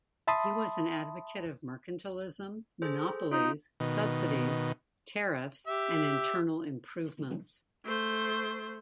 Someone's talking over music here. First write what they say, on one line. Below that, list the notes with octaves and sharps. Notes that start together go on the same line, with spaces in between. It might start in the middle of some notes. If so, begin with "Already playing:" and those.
He was an advocate of mercantilism, monopolies, subsidies, tariffs, and internal improvements.
E5 A5 B5 C6 D#6
G#4 A4 C5
D#4 F4
B2 D#3
G4 E5
A3 C5